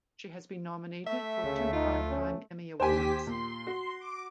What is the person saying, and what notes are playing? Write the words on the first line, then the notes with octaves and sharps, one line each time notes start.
She has been nominated for two Primetime Emmy awards.
A3 E5
D2 C#3
D#4 F4
C#4
D#2 G4 C5 G5 G#5 B6
A#2 C6
F#4
D6